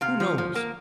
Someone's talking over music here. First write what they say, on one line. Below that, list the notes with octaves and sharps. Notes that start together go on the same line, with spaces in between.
Who knows!
C3 F5
F3
F3
A#3